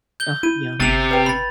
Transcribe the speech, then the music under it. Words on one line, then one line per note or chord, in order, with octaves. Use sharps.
Ah, yum.
G6 G7
E4 D#7
G1 C3 A6 F7
B4 G5
B5 A6